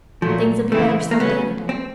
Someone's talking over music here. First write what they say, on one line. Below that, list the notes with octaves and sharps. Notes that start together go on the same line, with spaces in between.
Things'll be better some day, no doubt.'
A#2 F3 F#3 A3
C#3 E3 G#3 A3 C4 E4
A#3
C#3 F#3 A3 B3 C#4
C4